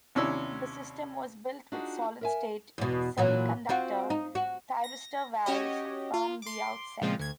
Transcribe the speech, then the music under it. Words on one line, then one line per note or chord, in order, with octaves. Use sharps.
The system was built with solid-state semiconductor thyristor valves from the outset.
D#2 C3 C#4 D4 E4 E6
D4 D#4 F4 F#4 G#4 B4
A#4 E5 G#5
E2 B2
A#2 E3 F#3
C4 F4 F#4
D#4
F#4
A#6
C#4 F#4 G4 C#5 D#5
F4
C6 D6
A#2 C#3 F3 G#3 C4 F4
D2 G#6